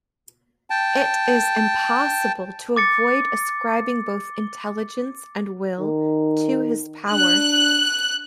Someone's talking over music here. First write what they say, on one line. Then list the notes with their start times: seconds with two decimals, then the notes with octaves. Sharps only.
It is impossible to avoid ascribing both intelligence and will to this power.
0.70 G5 A5
2.76 D6 A6 C#7
5.79 D#3
7.11 D4 F#6